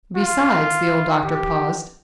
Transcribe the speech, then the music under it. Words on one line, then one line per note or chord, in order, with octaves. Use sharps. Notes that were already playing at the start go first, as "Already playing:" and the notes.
"Besides," the old doctor paused.
F4
G4